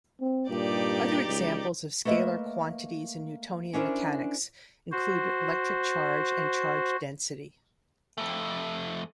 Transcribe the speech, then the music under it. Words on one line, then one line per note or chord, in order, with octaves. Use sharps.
Other examples of scalar quantities in Newtonian mechanics include electric charge and charge density.
C4
G2 A#2 D#4 G4 D5
C#2
A3 A#3 B4 D#5 E5
C#4 D4 E4 A#4 C5
F#4 C5
F2 A3